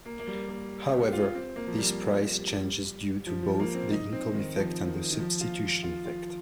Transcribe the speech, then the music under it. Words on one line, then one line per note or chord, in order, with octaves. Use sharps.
However, this price changes due to both the income effect and the substitution effect.
A#3
A#3
G3
A#3
G4
F4
C4
A#3
F3
G3
F3
F3
A#3
C4
D#4
C4
D#3
F3
D#3
D#3
F3
F4
F4
F4